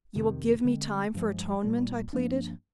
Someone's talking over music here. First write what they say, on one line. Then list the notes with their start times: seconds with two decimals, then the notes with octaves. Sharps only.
"You will give me time for atonement?" I pleaded.
0.15 F2 C3 D#3
0.64 D3 G#3 C4
1.14 G2 F3 G#3
1.64 A#2 G3 A#3
2.13 G2 F3 A#3 D4